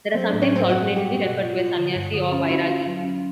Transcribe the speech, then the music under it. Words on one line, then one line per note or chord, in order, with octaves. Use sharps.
They are sometimes alternatively referred to as "sannyasi" or "vairagi".
F#3 C4
A2 D4
C#4
F#3 C4
G2 F#4
G3
G4
G2
B2 F#4
F4
F4
D3
G2
D3
C#4 F4
E4 F#4
F4 F#4
F#3
C#4